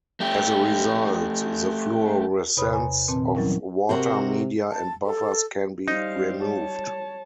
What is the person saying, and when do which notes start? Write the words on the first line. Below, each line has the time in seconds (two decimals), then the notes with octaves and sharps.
As a result, the fluorescence of water, media, and buffers can be removed.
0.20 A3 G4
2.57 E2 C3 B4 C#5 B5 D#6
2.73 G#5 A#5
3.08 A#2 D#3 C4 B4 A5
3.35 E3 F#3 G3 C#4 E4 A#4
3.89 C3 F#4 A#4 C5
4.71 A5
5.05 A4
5.88 G3 D#4 C5 F5
6.44 C#5 A5